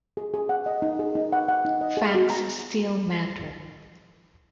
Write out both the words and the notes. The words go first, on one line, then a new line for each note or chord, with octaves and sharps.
Facts still matter.
G#4
G#4
F#5
D#5
D#4
G#4
D#4
F#5
F#5
D#4
D#5
G#4
F#4
A#5